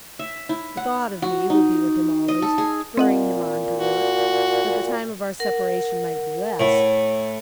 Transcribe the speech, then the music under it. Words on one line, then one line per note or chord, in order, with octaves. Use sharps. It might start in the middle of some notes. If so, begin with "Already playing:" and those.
The thought of me would be with him always, spurring him on to work, that the time of our separation might be less.
E5
E4
F#5
F#4
D#4
D#5
A4
G#4
A#2 C4 D#5 F#5
F#4
A#4 F#5
A2